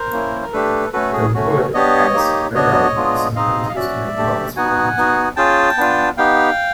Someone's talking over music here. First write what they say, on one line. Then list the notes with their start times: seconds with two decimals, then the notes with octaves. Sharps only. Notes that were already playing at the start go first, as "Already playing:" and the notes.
The wood, as 'red elm', is sometimes used to make bows for archery.
Already playing: A#4 C5
0.13 A#3 C#4 E4
0.42 A#4
0.53 A3 D4 G4 A4 B4
0.93 A3 C#4 F#4 A4 B4
1.13 G#4
1.35 A3 C#4 F#4
1.74 B3 D4 G4 C#5 D#5
2.14 A#3 D#4 G4
2.55 B3 D4 F#4 C#5 D#5
2.95 G#3 B3 D4 F4 G#4
3.36 C4 D#4 G#4 D#5 F5
3.69 F5
3.75 C#4 F#4 D5 E5
4.17 A3 D4 G4
4.56 B3 D#4 F#4 F#5 G#5
4.97 B3 D#4 F#4
5.37 C#4 F4 G#4 G5 A5
5.78 B3 D4 F4
6.18 B3 D#4 G4 F5 G5